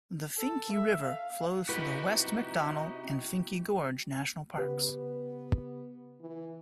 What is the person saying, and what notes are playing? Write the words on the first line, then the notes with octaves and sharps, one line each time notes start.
The Finke River flows through the West MacDonnell and Finke Gorge National Parks.
A4
E5
F5
C3 D#4 E4 F#4 G4 B4
C#3 B3 G4 B4
E3